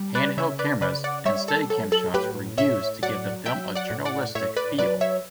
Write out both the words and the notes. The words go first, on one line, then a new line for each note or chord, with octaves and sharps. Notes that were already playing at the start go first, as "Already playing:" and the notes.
Handheld cameras and Steadicam shots were used to give the film a journalistic feel.
Already playing: G3
B4 D5
C#3 C#5 E5
B4 D5
C#3 B4 D5
D5 F#5
G3 C#5 E5
A4
F#3 A4
A4
A2 G4 B4
A2 C#5 E5
F#3 D5 F#5
F#3 E5 G5
D5 F#5
A2
D5 F#5
A2 C#5 E5
B4 D5
F#3 B4 D5
C#5 E5